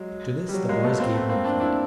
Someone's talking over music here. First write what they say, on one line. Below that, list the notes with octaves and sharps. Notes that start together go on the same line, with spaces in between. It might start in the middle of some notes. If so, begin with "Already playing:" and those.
To this the boys gave no heed.
Already playing: F#3 G#3
G3
F#3
G#3 A#3
A3 B3
A#3 C4
A3 B3
A#3 C4
C4 D4
D4 E4